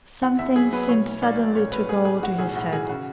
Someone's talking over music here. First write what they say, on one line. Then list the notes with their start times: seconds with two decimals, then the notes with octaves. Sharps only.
Something seemed suddenly to go to his head.
0.22 E2 F#5
0.39 E2 E5
0.56 F#3 G#4
0.72 F#3 B4
0.89 B1 C#5
1.06 B1
1.22 B1 D5
1.39 B1
1.55 A1 C#5
1.72 A1 B4
1.89 A1 G#4
2.05 A1 G#4
2.22 A2 F#4
2.39 B1 G#4
2.56 A2 F#4
2.72 E3 G#4
2.89 C#3 F#4